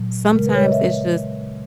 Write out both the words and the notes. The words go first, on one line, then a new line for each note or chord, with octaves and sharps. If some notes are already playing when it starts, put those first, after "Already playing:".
sometimes it's just
Already playing: A#2 F#3
C#3 G#3 A#4
B4
C#5
D#5
E5